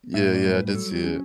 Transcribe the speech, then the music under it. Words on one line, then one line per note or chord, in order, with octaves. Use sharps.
Yeah, yeah, I did see it.
A2 E5
D5
G3
B4
B4
F#3 A4
G4
C#4